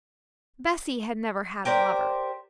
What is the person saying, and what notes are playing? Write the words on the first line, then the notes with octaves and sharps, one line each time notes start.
Bessy had never had a lover.
G4 A#4 C5 D5